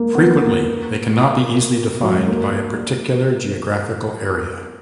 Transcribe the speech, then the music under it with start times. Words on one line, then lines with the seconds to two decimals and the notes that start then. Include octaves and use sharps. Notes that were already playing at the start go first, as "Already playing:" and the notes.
Frequently, they cannot be easily defined by a particular geographical area.
Already playing: G#3 A#3
0.15 B3
0.42 A#3
2.03 F#3
2.15 G#3
2.27 A#3